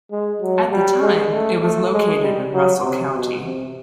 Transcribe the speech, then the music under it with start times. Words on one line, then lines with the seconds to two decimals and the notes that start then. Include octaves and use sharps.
At the time it was located in Russell County.
0.11 G#3
0.42 F#3
0.71 G3
1.01 G#3
1.33 A3
1.62 A3
1.93 G#3
2.22 G3
2.53 F#3
2.83 C3
3.14 B2
3.44 C3